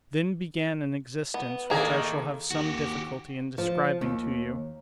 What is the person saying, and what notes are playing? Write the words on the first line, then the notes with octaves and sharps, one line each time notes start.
Then began an existence which I shall have some difficulty in describing to you.
B3
A2 D#3 A#3 G#4
D#2 F#4 G4
F3
D#2